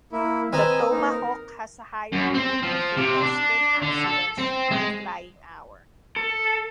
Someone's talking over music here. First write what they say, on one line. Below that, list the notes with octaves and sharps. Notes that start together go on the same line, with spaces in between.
The Tomahawk has a higher rate of fatal spin accidents per flying hour.
A#3 E4
C4 B4 D#5 G#5 A#5 E6
A#3 D#4
A#4
F#2
C4
F3
C3
D4
D3
A4
C4
G#3
A4